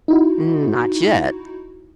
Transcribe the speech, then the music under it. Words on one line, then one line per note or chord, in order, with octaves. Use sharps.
"Not yet."
D#4 E4 F#4